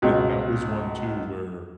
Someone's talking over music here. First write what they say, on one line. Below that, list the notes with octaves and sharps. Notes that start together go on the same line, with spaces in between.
And that was one too where
C#2 B2